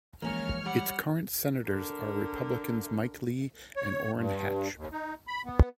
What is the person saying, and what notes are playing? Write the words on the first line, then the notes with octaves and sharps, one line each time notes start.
Its current senators are Republicans Mike Lee and Orrin Hatch.
E3 F3 G#3 A#3 C#4 C#5 F6
G3 F#5
D3 A#4
C#5
G2
D#2
D#4
B5
B3